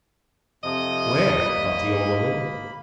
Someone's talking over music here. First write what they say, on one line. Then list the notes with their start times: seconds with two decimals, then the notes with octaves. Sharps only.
"Where?" thought the old woman.
0.63 F2 C3 F3 D#5
1.46 A#3 B5